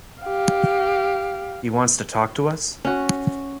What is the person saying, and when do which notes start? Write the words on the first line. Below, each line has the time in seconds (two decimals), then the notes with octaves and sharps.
He wants to talk to us?
0.23 G4 F5
2.85 C#4 F#4